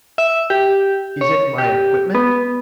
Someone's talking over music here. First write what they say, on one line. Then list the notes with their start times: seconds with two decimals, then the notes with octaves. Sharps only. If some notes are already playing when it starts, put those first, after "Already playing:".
"Is it my equipment?"
0.18 E5
0.50 G4
1.21 C#5
1.58 G4
2.15 B3